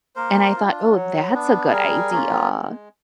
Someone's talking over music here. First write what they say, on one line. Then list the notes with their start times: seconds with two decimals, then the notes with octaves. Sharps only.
and I thought, "Oh, that's a good idea."
0.16 A#3 A#4 C5
0.56 D4 F4
0.95 F#3
1.33 B3 D4
1.72 G3 G#4 A#4
2.11 A#3 C#4 F4
2.50 G#3